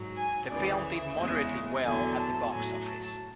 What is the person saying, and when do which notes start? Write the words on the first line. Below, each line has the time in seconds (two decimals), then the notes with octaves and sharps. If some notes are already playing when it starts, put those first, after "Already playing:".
The film did moderately well at the box office.
Already playing: G#2 F#3
0.16 G#5
0.50 D2 C#3 E3 D5
0.83 E5
1.16 E2 C#3 G#3
1.84 E2 D3 F#3 G#5
2.17 A5
2.51 A2 F#3 G#5
2.84 A5